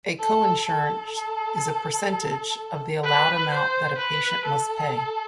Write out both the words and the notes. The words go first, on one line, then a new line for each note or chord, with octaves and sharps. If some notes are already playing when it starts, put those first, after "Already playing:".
A coinsurance is a percentage of the allowed amount that the patient must pay.
A4
A4
B4
C5
B4
A4